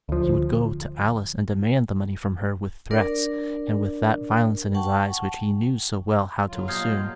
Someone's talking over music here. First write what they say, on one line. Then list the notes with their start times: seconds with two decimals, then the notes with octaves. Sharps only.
He would go to Alice and demand the money from her with threats, and with that violence in his eyes which he knew so well how to assume.
0.09 D2 F3
2.91 D4 A#4 D5
4.75 F#5 G5 A5 C#6
6.47 F#3 F4
6.68 A#2 G3 A4 D#5 F5 F6 G6 G#6